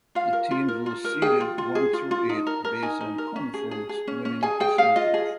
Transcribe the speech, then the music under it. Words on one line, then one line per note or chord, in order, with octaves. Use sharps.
The teams were seeded one through eight based on conference winning percentage.
F4 F5
A#4
F4
A#4
F4
A#4
G#4 G5
F4
F4
G#4
F4
F4
D#4
A#4
A#4
D#4 G#5
D#4
A#4
C#4
G#4
G#4
G#4
C#4
C#4
G#4 G#5
G#4 G5
G#4 F5
F4 D#5
G#4